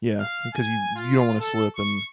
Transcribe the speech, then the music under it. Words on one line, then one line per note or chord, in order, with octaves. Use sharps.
Yeah, because you you don't wanna slip and
F5
G#5
F4
A4
C#6